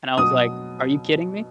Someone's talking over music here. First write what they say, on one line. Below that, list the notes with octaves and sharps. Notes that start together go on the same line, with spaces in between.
And I was like, "Are you kidding me?"
B2 F#3 D#6